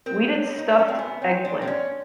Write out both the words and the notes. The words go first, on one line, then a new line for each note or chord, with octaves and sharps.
We did stuffed eggplant.
C4 A#4
C#5
C#5
D#4
D4
C#4 A#4
C4
B3 G#5
C4 C#5
D4 C6
C4
C#4 C#5